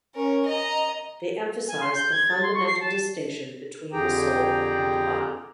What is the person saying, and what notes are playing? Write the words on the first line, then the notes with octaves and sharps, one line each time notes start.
They emphasized the fundamental distinction between the soul and the body.
C#4 A#4
D#5 A#5
G#5
C6
G6
G#6
A6
C6
C#6
C7
A5
F2 D3 G4 G#4 G5 A#5